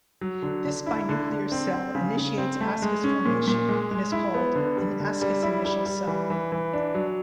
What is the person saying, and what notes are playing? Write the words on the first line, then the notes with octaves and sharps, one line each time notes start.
This binuclear cell initiates ascus formation and is called an "ascus-initial" cell.
F#3
D3
D3
E4
D3
D3
C4
C4
C#3
C#3
C4
A3
G#3
C#4
A#2
A#2
G#3
G#3
E4
B3
D3
G3
D3
G3
E4
G3
G3
E3
E3
E3
D4
F#3